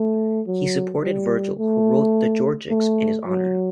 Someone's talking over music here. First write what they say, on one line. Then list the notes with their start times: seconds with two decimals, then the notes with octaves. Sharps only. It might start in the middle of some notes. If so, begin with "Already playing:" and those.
He supported Virgil who wrote the "Georgics" in his honour.
Already playing: A3
0.47 F#3
1.03 G3
1.58 A3
2.70 A3
3.25 F#3